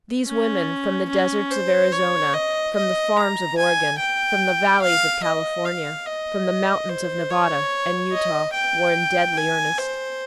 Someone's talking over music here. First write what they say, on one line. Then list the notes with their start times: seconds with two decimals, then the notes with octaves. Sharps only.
These women from the deserts of Arizona, from the farms of Oregon, from the valleys of California, from the mountains of Nevada and Utah, were in deadly earnest.
0.27 C#4
1.09 C#4
1.51 C5
1.93 C#5
2.34 D#5
2.76 D#5
3.17 A#5
3.58 G#5
3.99 G5
4.82 F5
5.24 D#5
5.65 F5
6.07 D#5
6.89 C5
7.30 C#5
8.12 D#5
8.54 G5
9.37 G#5
9.78 C5